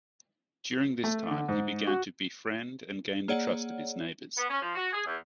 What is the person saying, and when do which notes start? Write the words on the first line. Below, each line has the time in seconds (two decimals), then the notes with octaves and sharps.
During this time he began to befriend and gain the trust of his neighbors.
1.04 A3
1.31 D3
1.48 G#2
1.87 F#4
3.28 A#3 G#4 C#5 D5 F#5
4.37 B3
4.49 C#4
4.62 F3
4.75 F#4
4.93 G#4
5.06 E2